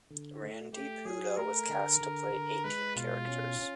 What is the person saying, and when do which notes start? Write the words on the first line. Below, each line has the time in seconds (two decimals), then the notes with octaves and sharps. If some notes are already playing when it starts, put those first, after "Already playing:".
Randeep Hooda was cast to play eighteen characters.
0.11 D3
0.42 A3
0.73 A3 G4
1.05 F#3 G#4
1.37 A3 A#4
1.69 D3
2.01 D3
2.33 D3
2.64 G#3 B4
2.96 B2 F4
3.27 C#4
3.59 C#4